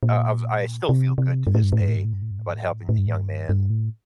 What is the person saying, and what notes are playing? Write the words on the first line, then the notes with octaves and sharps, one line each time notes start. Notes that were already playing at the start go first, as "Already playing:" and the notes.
uh, I was I still feel good to this day about helping the young man,
A#2
C3
C3
G2
A2
G2
A2
G2
A2
G2
A2
G2
A2
G2
A2
G2
A2
G2
A2
G2
A2
G2
A2
G2
G2
A2